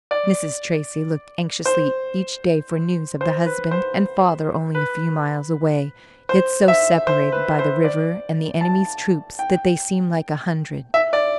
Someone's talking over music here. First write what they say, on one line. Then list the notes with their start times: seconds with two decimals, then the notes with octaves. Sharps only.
Mrs. Tracy looked anxiously each day for news of the husband and father only a few miles away, yet so separated by the river and the enemy's troops that they seemed like a hundred.
0.11 D5
1.66 C5
3.21 C5
3.46 B4
3.71 C5
4.75 B4
6.29 C5
6.68 E5
7.07 C5
7.32 B4
7.59 C5
7.84 D5
8.61 A5
9.39 G5
10.94 E5
11.13 D5